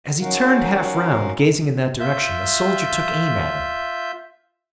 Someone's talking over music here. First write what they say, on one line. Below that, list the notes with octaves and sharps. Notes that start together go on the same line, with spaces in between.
As he turned half round, gazing in that direction, a soldier took aim at him.
C#4 D#4 F#4 A#4 F5 F#5
F4 E5 G6